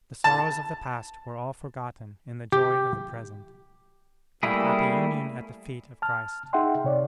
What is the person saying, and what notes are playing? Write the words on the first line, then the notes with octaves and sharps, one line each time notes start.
The sorrows of the past were all forgotten in the joy of the present, that happy union at the feet of Christ.
A5
G4
G3 A3 A#3 E4 G#4
A5 F6
D#4 G#4 E5 F#5 G5 C6
C3 C#5 D5